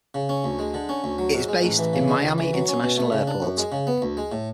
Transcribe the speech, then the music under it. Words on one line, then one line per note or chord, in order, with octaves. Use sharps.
It is based in Miami International Airport.
C#3
C#4
D2
G#3
D3
C#4
D2
F#3
G#2
G#3
A1
E3
C#3
G#3
C#2
E3
F#3
C#4
B2
A3
C#3
D4
F#2
G#3
C#3
B3
D2
G#3
A2